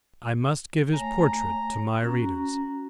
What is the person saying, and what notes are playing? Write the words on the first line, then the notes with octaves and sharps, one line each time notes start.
I must give his portrait to my readers.
A3 C#5 G#5 A#5
C#4 F#4 A#5